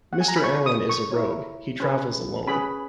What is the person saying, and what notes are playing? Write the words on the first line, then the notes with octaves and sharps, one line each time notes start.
Mr. Allen is a rogue: he travels alone.
F#5
G#5
A#5
B5
E4 A#4 C#5 C#6
D#6
C#6
E4 A#4 C#5
C#4 G#4 B4
C#4 G#4 B4 B5